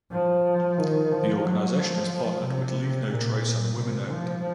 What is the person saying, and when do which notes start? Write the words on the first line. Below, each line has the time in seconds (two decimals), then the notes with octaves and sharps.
The organization is partnered with Leave No Trace and Women Owned.
0.12 F3
0.78 D#3
1.12 F3
1.44 F#3
1.78 F3
2.45 C3
3.10 A#2
3.77 C3
4.11 F3